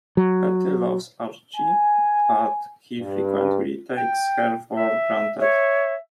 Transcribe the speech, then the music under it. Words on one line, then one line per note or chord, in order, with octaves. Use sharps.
Betty loves Archie, but he frequently takes her for granted.
F#3
G#5
G2
G5
E5
C#5 E5